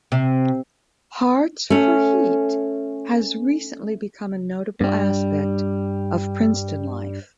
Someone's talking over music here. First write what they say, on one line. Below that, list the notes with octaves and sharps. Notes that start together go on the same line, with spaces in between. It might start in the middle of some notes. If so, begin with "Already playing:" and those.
Hearts for Heat has recently become a notable aspect of Princeton life.
C3
A3 C#4
G2 G3